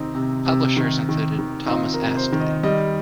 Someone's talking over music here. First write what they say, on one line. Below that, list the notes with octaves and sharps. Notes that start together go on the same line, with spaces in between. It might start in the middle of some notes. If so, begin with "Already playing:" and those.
Publishers included Thomas Astley.
Already playing: C3 D#3 C4 D#4
C3
C3
D#3
D#3
D#3
D#4
C4 F4
A#4
C3
C5
D#3
D#5
G3 D#5